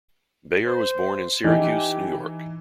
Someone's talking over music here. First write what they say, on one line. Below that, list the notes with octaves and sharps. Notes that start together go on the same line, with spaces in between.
Bayer was born in Syracuse, New York.
C5
E3 D#4 G4